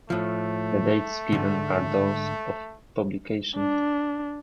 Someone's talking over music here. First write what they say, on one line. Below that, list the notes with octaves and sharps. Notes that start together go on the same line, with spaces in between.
The dates given are those of publication.
A2 F3 A3
G#2 D3
D4